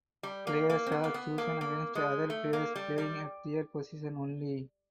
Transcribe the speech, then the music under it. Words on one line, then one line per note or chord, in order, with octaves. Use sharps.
Players are chosen against other players playing at their position only.
G3
A#3
A#3
C4
B3
A#3
B3
A#3
A#3
G#3
A3
A#3
G3
G3